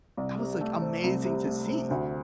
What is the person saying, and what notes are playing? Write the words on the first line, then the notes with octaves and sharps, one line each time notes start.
That was, like, amazing to see.
C2
C3
A3
C4
C2
C3
A3
C4
D2